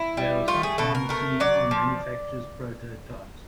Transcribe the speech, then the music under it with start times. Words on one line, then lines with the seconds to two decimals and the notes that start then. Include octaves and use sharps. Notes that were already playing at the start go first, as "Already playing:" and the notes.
They are sometimes seen on manufacturer's prototypes.
Already playing: E4
0.17 G3
0.48 A3 F4
0.63 G#4
0.78 B2 A4
0.95 A#4
1.09 A3 A#4
1.40 F#3 D5
1.71 F3